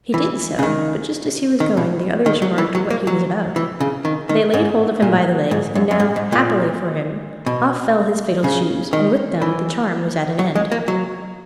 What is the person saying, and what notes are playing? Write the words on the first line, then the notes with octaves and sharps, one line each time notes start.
He did so; but just as he was going, the others remarked what he was about; they laid hold of him by the legs; and now, happily for him, off fell his fatal shoes--and with them the charm was at an end.
E3
C#3
D#3
D#3
B2
D#3
F#3
E3
F#3
A#3
F#3
E3
C#3
D#3
D#3
G#2
A#2
G#2
F#2
F#2
G#2
G#2
A#2
B2
C#3
D#3
E3
F#3
G#3
A#3
F#3